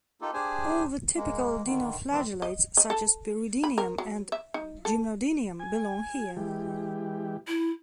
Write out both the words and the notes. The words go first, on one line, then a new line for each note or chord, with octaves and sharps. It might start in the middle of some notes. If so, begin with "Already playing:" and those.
All the "typical" dinoflagellates, such as "Peridinium" and "Gymnodinium", belong here.
A#3 D#4 F4 G4 A4
D4 G4 G#4 C5 G#5
G#3 A#3
D3 D#3
D#3 E3 G3 C4
D#5
D#5
A4
B5
A#4
F#3
E5
D#4
A4
G#5
E3 G#3 G4
E4